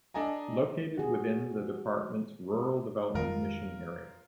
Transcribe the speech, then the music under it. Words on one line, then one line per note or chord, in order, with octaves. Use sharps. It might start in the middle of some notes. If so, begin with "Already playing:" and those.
Located within the Department's Rural Development mission area.
D4 A4 D#5 G#5 A#5
B3 F#4 G#4
F2 D#3 F4 A#4